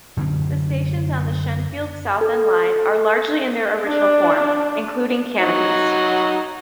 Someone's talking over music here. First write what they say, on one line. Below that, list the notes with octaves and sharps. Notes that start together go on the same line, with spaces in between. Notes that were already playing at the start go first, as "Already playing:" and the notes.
The stations on the Shenfield-Southend line are largely in their original form, including canopies.
F#2 D3 C4
A4
D4
F#3 D#4 F#4